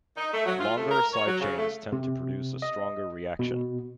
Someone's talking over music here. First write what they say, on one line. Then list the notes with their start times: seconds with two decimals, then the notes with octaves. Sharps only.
Longer side chains tend to produce a stronger reaction.
0.17 D#4
0.33 A3
0.46 F#3
0.59 F4
0.76 A3
0.91 A#4
1.14 C#5
1.27 F#3
1.40 C#3
1.57 A3
1.92 C3
2.62 D#5
3.39 B2